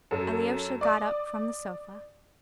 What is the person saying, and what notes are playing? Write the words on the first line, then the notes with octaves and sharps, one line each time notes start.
Alyosha got up from the sofa.
F#2 F#3 A4
D5 D6 D#6